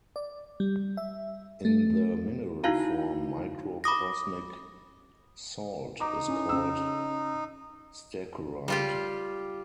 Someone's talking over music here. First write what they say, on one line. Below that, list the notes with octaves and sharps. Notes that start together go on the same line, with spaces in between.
In the mineral form, microcosmic salt is called stercorite.
D5
G3
E5
A3
D#4 E4 F#4 F5 A#5
B5 D6 D#6 A#6
D#4 A#5 D6
C#4 E4
C#3 E6
G3 F4 G4